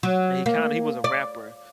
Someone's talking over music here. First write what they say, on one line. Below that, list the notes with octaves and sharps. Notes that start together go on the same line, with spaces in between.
And he kinda he was a rapper,
F#3
A#3
D5